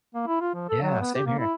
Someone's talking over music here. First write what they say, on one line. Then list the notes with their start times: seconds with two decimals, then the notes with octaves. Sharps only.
Yeah, same here.
0.15 A#3
0.27 E4
0.41 F4
0.54 F3
0.69 A4
0.82 F#3
1.01 B3
1.15 G4
1.27 A#3
1.39 E4